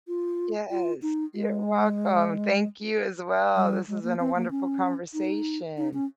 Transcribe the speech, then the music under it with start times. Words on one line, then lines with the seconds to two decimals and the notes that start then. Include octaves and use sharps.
Yes, you're welcome. Thank you as well. This has been a wonderful conversation
0.08 F4
0.71 F4
1.02 D#4
1.34 G#3
3.56 G3
3.88 G#3
4.03 A#3
4.20 C4
4.36 A#3
4.51 C#4
5.14 D#4
5.78 D#4
5.94 C#4